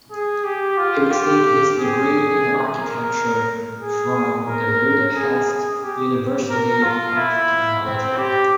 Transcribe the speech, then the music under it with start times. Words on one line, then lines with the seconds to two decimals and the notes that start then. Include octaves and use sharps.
He received his degree in architecture from the Budapest University of Technology.
0.11 G#4
0.44 G4
0.77 F4
1.11 G4
1.78 G#4
2.80 A#4
3.80 G#4
4.47 A#4
5.14 G#4
5.49 G#4
5.82 G4
6.50 A#4
6.83 F4
7.17 E4
7.84 C4
8.17 G4